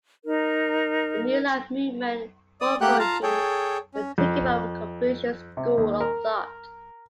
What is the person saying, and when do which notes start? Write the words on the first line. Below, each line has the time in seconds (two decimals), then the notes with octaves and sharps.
The New life Movement "four virtues" were taken from Confucian school of thought.
0.24 D#4 A#4
2.61 D5 D#6
2.81 A3 A#3 G4 F#5 G5 F#6
2.99 F4 F5 A5 A#5
3.23 G#4 A4 C#5 G5
3.94 C#4
4.18 F2
5.57 C3
5.78 D#2
6.00 A#4